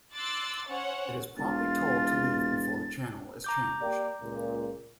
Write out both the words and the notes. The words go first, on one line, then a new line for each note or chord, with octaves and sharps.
It is promptly told to leave before the channel is changed.
C6 D6 E6 F#6 A6
C#4 C5 C#5 F#5
E1 F4 A6
A#5 D6 G6
A#3 G4 D5
C#2 A#2